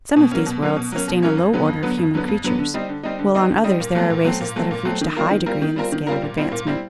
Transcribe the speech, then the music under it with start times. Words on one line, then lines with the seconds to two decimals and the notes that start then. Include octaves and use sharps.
Some of these worlds sustain a low order of human creatures, while on others there are races that have reached a high degree in the scale of advancement.
0.16 B2
0.31 F#3 A#3 C#4
0.46 B2
0.62 F#3 A#3 C#4
0.76 B2
0.92 F#3 A#3 C#4
1.08 B2
1.22 F#3 A#3 C#4
1.37 F2
1.53 D3 F#3 B3
1.68 F2
1.83 D3 F#3 B3
1.98 F2
2.14 D3 F#3 B3
2.28 F2
2.44 D3 F#3 B3
2.59 D3
2.74 G3 C4 D#4
2.89 D3
3.03 G3 C4 D#4
3.19 D3
3.35 G3 C4 D#4
3.50 D3
3.64 G3 C4 D#4
3.80 A#2
3.95 F#3 A3 C4
4.10 A#2
4.25 F#3 A3 C4
4.41 A#2
4.56 F#3 A3 C4
4.71 A#2
4.85 F#3 A3 C4
5.01 D#3
5.16 G3 C4 F4 A#4
5.31 D#3
5.46 G3 C4 F4 A#4
5.62 D#3
5.76 G3 C4 F4 A#4
5.92 D#3
6.07 G3 C4 F4 A#4
6.22 A#2
6.37 G3 C4 E4
6.52 A#2
6.67 G3 C4 E4